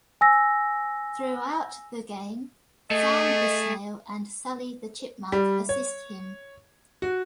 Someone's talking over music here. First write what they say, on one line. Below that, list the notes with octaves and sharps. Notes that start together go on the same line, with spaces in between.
Throughout the game, Sam the Snail and Sally the Chipmunk assist him.
G#5 E6 A#6
A3 G#4 D#5
G3
C#5
F#4